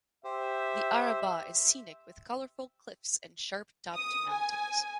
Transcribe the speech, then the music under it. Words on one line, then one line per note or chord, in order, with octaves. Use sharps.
The Arabah is scenic with colorful cliffs and sharp-topped mountains.
G4 C5 E5
D#6
G#5